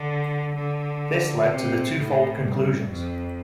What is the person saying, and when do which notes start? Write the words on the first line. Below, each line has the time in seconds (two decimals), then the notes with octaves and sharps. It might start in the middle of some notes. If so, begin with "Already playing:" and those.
This led to the twofold conclusions.
Already playing: D3
0.56 D3
1.50 C3
1.96 A2
2.43 G2
2.89 F2